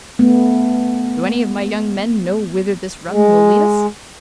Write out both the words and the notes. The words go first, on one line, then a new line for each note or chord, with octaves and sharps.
"Do any of my young men know whither this run will lead us?"
A3 B3
G#3